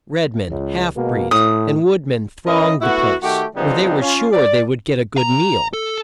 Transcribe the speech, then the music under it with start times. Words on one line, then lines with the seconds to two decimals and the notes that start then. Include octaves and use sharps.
Red-men, half breeds, and wood-men thronged the place, where they were sure they would get a good meal.
0.50 C#2
0.95 B2 G#3 A#3
1.31 A2 D#6
2.47 C#4 E4 A#4 D#5
2.82 A3 B3 E4 F#4
3.23 D#3 A3 F#4 G4
3.55 C#3 F3 G3 B3 C4 D#4
4.01 C#4 F4
4.32 D5
5.17 A#5
5.73 A4